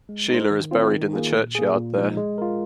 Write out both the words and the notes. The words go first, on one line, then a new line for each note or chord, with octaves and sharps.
Sheila is buried in the churchyard there.
G#3
D#4 G#4 C5
D#3
C4 F4
D#3
A#3 F4 G#4
A#2
A#3 G#4
A#2
F3 G#3 D#4
G#3
F4 A#4